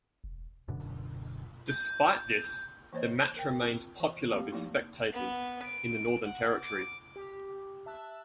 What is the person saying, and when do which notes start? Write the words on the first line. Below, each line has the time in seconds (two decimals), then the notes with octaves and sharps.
Despite this, the match remains popular with spectators in the Northern Territory.
0.24 E1
0.68 D1 F#2 B2 D3
1.70 G6
2.93 E3 A#3 C5 C#5 D#5
3.37 A#4 G5
3.60 C4 F4
4.00 E3
4.32 A3 A#3 C4 G4 F5
4.52 F3 A3 A#3 D#4 E4
5.13 B3
5.64 D7
6.26 F#5
6.62 D6
7.16 G4
7.86 E5 A5 E6 F#6